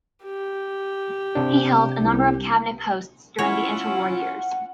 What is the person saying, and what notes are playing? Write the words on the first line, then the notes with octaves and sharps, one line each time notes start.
He held a number of cabinet posts during the inter-war years.
G4
C3 D4
C2
C#4 E4 F4 C#5 F#5